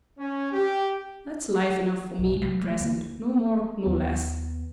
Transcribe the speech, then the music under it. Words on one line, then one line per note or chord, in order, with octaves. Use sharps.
That's life enough for me at present--no more, no less.
C#4
G4
B1 G2
C3 G#3
F#3
G3 A3
D2 A#3
D#2 B3